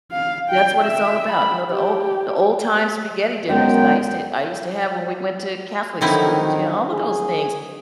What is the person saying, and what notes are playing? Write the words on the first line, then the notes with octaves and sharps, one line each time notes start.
that's what it's all about, you know, the old the old time spaghetti dinners that I used to I used to have when we went to Catholic schools, you know, all of those things,
F5
G5
E5
B5
G4
F#2 D#3 G#3 B3 G5
D3 D#3 F3 F#3 C4 D#4 E4
G#4